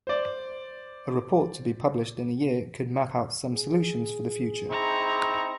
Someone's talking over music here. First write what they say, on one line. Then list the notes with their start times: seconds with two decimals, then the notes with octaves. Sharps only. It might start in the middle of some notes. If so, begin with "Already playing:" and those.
A report to be published in a year could map out some solutions for the future.
0.07 C5 D5
3.55 G#4
4.71 C4 D#4 E4 A#5 C#6